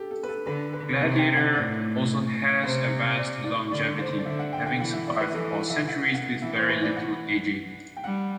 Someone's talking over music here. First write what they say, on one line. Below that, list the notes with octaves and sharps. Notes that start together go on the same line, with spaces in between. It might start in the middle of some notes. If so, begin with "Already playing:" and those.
Gladiator also has advanced longevity, having survived for centuries with very little aging.
Already playing: G4 A4
A4
B4
A4
D3 B4
B4
C3 E5
G5
F#5
A2 D5
C3 C5
D5
D5
D3 D5
C5
D5
D3 E5
F#5
G5
G5
E3 F#5
E5
D5
B4
E3 A4
F#5
E5
F#5
F#5
E3 E5
C5
B4
D5
F#5
G5
G3 F#5